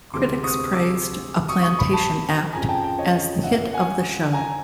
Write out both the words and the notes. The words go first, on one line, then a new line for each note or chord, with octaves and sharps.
Critics praised "A Plantation Act" as the hit of the show.
D2 C3 E3 G#3 C4 C6 D6
C#6 D#6
D6 E6
C#6 D#6
C#6 D#6
B5 C#6
A5 B5
F2 C#3 F3 G#5 A#5
G5 A5
G5 A5
C#5 D#5
E5 F#5
F#5 G#5
G#5 A#5